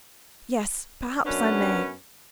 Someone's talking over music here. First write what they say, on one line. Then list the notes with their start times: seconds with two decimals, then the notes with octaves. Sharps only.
'Yes, perhaps I may.
1.25 F#2 B3 C#4 D4 B4